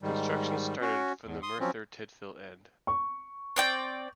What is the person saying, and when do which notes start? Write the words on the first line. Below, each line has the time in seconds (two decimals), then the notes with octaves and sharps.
Construction started from the Merthyr Tydfil end.
0.02 G#2 D#3 G3
0.81 C#4 F#4
1.25 E2
1.43 C6 D#6
1.60 F3 F#3 C4 C#4
2.87 C#6
3.56 C4 D5 G5